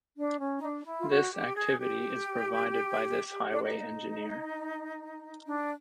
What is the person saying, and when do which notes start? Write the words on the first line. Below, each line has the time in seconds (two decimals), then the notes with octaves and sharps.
This activity is provided by this highway engineer.
0.16 D4
0.40 C#4
0.58 D#4
0.63 D4
0.85 E4
0.98 F4
1.09 F#4
1.31 G4
1.55 G#4
1.77 G4
3.51 D4
3.62 D#4
5.45 D4